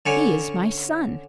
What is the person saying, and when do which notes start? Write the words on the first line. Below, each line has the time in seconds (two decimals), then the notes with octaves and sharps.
He is my son.
0.06 D3 C#4